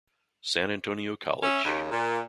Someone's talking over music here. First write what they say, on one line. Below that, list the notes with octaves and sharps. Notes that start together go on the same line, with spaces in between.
San Antonio College.
C#4 E5
D#2 C#3
A#2